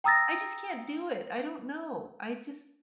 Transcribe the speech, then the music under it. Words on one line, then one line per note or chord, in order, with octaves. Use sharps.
I just can't do it. I don't know. I just
G5 A#5 D#6 E6 A6 A#6